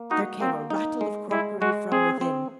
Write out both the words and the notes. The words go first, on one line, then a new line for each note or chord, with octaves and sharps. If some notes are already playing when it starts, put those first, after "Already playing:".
There came a rattle of crockery from within.
Already playing: A#3
D#4 F#4
A#3 C4
D#4
G#3
G#3 E4
G#3 F#4
C4 G#4
C4